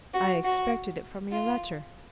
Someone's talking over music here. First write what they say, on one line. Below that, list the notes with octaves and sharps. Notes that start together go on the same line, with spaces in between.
"I expected it from your letter."
F#4
F#4
F4